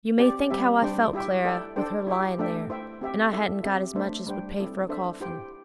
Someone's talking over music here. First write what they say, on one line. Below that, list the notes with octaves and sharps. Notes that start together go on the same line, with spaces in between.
You may think how I felt, Clara, with her lyin' there, and I hadn't got as much as would pay for a coffin.
C4 G4 D5 G5
G3 C4 G4 E5
G3 D4 C5 G5
E4 G4 E5 G5
E4 A4 D5 G5
D4 A4 C5 G5
E4 G4 E5 G5
A3 D4 A4 E5 G5
E4 C5 E5 G5
C4 G4 E5 G5
E4 A4 E5
C4 G4 E5
A3 D4 C5 E5
G3 D4 C5 G5
C4 E4 A4 D5
D4 A4 C5 E5
E4 G4 C5 G5